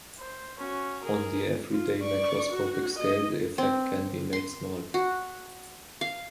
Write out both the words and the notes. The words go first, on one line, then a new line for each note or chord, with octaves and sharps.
On the everyday macroscopic scale the effect can be made small.
C5
C#4 F#4
G#4 A#4
F4
D5 C#6
F#4
D#5
C4
C6
F#4
F5